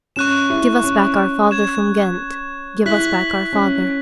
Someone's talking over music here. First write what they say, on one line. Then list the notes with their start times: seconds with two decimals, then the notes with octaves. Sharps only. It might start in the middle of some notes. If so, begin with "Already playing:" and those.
"Give us back our father from Ghent, Give us back our father."
0.16 C#4 C#6 F#6 E7
0.50 E4
0.84 C#4
1.51 G#6 E7
2.86 E4 F#6 B6 F#7
3.53 C#4